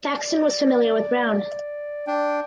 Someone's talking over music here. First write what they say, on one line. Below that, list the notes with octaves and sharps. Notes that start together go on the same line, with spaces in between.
Thaxton was familiar with Brown.
D5
D4 G5